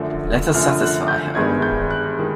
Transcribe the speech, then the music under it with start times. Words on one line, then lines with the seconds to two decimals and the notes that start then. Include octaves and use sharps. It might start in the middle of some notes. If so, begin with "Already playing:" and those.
Let us satisfy her.
Already playing: F#2 D3 F3 A3
0.54 F#2 D3 F3 A3 F6
0.82 F#6
1.08 G6
1.35 G1 G2 D#3 G#3 B3 G#6
1.62 G6
1.91 F#6
2.19 D#3 G#3